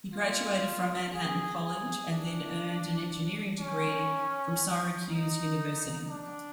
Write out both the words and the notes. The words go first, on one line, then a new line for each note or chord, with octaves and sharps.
He graduated from Manhattan College and then earned an engineering degree from Syracuse University.
F4
G#4
G#4
D4
C#4
D#4
D4